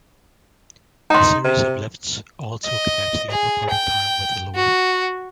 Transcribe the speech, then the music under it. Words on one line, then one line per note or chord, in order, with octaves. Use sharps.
A series of lifts also connects the upper part of town with the lower.
D#4 A#5 C6
C3
D#5
G#4
G5
F#4